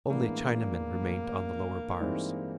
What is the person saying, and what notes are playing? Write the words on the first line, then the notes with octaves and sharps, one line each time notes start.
Only Chinamen remained on the lower bars.
A2 E3 G#3 A#3 B3 D4
G2 E3 G#3 C4 D#4